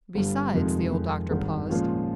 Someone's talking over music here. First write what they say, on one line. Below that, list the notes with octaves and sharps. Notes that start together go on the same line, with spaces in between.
"Besides," the old doctor paused.
G1 G2 G3
F2 C3 D#3 G#3
F2 D#3 G#3
G#1 G2 D#3
A#2 F3 G#3 C#4 F4